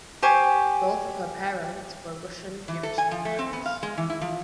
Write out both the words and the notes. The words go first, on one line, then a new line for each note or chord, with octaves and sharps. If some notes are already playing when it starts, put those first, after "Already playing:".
Both of her parents were Russian Jewish immigrants.
G4 C5 G#5 C#6
E3
A4
G#5
F3
A3
C4
B3
F5
G#3
E3
E4
F3